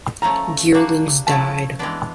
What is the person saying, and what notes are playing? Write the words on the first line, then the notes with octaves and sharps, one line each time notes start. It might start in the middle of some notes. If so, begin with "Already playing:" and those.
Geerlings died.
F3 A3 C#4 A#5
G3 A#3 D4 F#4
F3 A3 C#4 E4 A5
E3 G#3 B3 D4